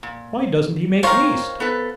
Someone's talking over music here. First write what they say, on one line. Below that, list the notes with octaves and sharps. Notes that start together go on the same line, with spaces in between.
'Why doesn't he make haste!'
A#2
D#3 C4 F4 A#4 C5 C#5
B3 A4 B4